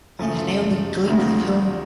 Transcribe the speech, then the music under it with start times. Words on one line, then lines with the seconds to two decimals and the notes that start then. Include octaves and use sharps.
It is now the Glencliff Home.
0.19 F#2 C#3 F3 A3
1.07 D2 C3 F3